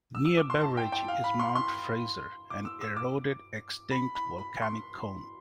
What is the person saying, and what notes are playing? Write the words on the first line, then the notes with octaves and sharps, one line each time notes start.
Near Beveridge is Mount Fraser, an eroded extinct volcanic cone.
E6
E6
D6
C6
A5
G5
G5
F5
B5
C6
C6
D6
E6
E6
D6
B5
B5
B5
C6